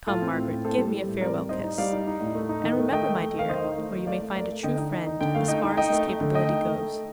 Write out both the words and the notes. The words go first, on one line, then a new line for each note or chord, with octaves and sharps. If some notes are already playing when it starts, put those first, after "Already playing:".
Come, Margaret, give me a farewell kiss; and remember, my dear, where you may find a true friend, as far as his capability goes.
A2 F4 A4
C4
A2
C4
A2 A4 C5
G3
G3
A2
C4 A#4 D5
G3
D#4 C5 D#5
D#4
G3 D5 F5
D#4
D#4
A2
A3
D#4
D#3
A3
A3 D#5 G5
A3
A3
D#3 F5
D#3 C5 D#5
D#4
A3
A3
A3 D5 F5
A3
A3 A#4 D5
A3
D3 D#5 G5
D#4
D#4
D#4
D3 G5
A3 F5
D#4 D#5 G5
D#4
D#4 D#5 G5
A3
A3
D3
A3 D#5 G5
D#4
A3
A3